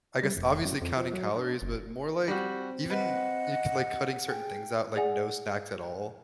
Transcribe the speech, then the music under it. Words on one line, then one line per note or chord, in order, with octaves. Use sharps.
I guess, obviously counting calories, but more, like, even, y like, cutting certain things out, like no snacks at all.
G3
F1
F#2
F2
F3
F#3
D4
F#1
G3 C4 F#4
B4 D#5 F#5
G#4 G5
G#4 D5 F#5 G#5